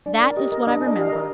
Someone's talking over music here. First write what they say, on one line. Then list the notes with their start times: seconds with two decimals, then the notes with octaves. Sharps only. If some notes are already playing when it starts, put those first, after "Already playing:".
That is what I remember.
0.06 D4 D5
0.21 A#4 D5
0.37 G4 D#5
0.52 A#4 D#5
0.67 D4 D#5
0.82 D4
0.87 D#5
0.97 G4 F5
1.07 D#5
1.12 A#4